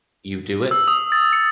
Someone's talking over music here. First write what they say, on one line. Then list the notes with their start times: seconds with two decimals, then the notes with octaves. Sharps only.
You do it?
0.71 E6
0.88 D#6
1.12 A6
1.33 C#7